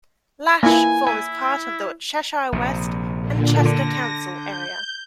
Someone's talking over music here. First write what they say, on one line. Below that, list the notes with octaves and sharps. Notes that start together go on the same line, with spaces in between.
Lache forms part of the Cheshire West and Chester council area.
A#3 E4 G#5
E4 G#5
A#1 C3
A#2 D3
D3 A#6
G6